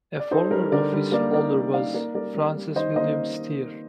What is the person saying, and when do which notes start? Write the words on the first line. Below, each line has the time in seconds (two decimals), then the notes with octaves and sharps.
A former office holder was Francis William Steer.
0.19 D5
0.31 D#4 A4 C5
0.51 G3 A#4
0.72 D3 A#4 D5
0.92 G3
1.12 A#3 A#4 D5
1.33 D#4 A#4 D5
1.53 G3
1.74 D#4 D5 F5
1.94 A#3 A#4 D5
2.14 G3 A#4 D5
2.35 G3
2.56 G3
2.76 D#3 C5 D#5
2.96 A#3 C5 D#5